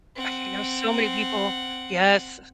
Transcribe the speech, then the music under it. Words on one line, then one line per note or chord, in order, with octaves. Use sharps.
okay I know so many people yes.
C4 F#5